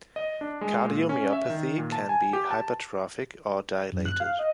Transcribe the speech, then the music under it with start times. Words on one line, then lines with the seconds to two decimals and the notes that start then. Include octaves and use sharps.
Cardiomyopathy can be hypertrophic or dilated.
0.16 D#5
0.41 D4
0.61 G#3
0.85 A#2
1.09 C#4
1.33 E5
1.50 D#3
1.78 A#2
1.92 A5
2.09 G#5
2.33 G4
2.51 A5
3.92 F#2
4.05 F#6
4.20 F5
4.39 D#5